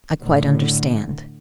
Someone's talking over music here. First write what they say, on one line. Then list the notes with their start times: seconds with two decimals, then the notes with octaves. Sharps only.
"I quite understand."
0.22 A2 D3